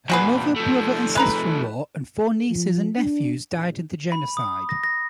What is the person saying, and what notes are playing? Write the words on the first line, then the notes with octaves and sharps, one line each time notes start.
Her mother, brother and sister-in-law, and four nieces and nephews died in the genocide.
E2 A#2 F#4 G#4 B4
F3 A3
G#3 B4 A#5
A4
F3
D4
A#1
B5
D#6
A#6
A#6